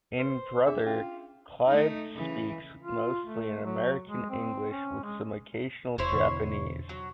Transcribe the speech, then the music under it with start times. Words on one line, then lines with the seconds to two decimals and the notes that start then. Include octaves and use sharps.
In "Brother", Claude speaks mostly in American-English with some occasional Japanese.
0.19 B4 C5
0.66 D4 G#4 E5
0.86 C#4 F4
1.66 A3 D#4
2.15 C#3 E3
2.82 F4
3.25 A3
3.64 F#3
4.08 G#3
4.30 C4
4.71 C#4
5.03 G#3
5.98 E1 E4 C5 C#5
6.13 E2 B2 D3
6.89 F#3